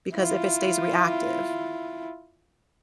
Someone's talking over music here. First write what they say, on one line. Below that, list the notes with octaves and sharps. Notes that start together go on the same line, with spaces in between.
because if it stays reactive,
E4 F4